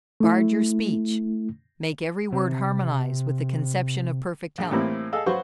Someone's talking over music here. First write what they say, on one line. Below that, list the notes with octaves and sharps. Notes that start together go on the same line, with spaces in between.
Guard your speech; make every word harmonize with the conception of perfect health.
A3 E4
C3 C4
A#1
A2 E3 G3 A#3 C4 E4
G#4 A4 D#5 F5 E6
F#3 F#4 B4 C5 F5 C#6